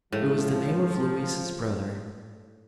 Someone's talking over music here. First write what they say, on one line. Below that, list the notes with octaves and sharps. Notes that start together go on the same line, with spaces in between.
It was the name of Louise's brother.
A2 F3 G#3